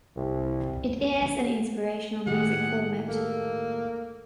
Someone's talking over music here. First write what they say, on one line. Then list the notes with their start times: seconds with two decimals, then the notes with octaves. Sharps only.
It airs an inspirational music format.
0.16 C2
2.27 D#2 A2 D#3 G3 A3 G#4 F#5
3.09 G#3 A#3 A4